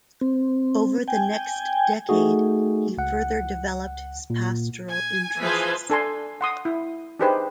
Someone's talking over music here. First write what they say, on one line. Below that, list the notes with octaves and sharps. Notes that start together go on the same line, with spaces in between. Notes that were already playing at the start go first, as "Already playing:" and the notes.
Over the next decade he further developed his pastoral interests.
C4
G5 G#5
A3 D#4 F#4 G#4
C#2 F#5
A#2
G#5
E3 F3 G#4 B4 C5 G#5
D4 A4 G#5 C6
F#5 C6 D#6
E4
D4 D#4 G4 G#4 B4 C5